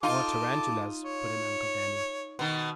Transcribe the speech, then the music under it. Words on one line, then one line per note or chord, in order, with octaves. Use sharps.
"Or tarantulas," put in Uncle Daniel.
D#4 F4 A4 A5 D6
C#5
B2 D#3